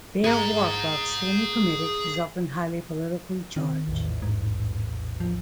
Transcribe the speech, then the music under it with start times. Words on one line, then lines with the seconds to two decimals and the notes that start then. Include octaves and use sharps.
Their work, while extremely comedic, is often highly politically charged.
0.24 G#4 A#5
3.56 D#3 C4
3.87 A#1 E2 A2
4.22 G#2
5.20 F3